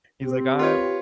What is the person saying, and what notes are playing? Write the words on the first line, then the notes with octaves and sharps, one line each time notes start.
He's like, "I"
C4 G4
F4 B4 C#5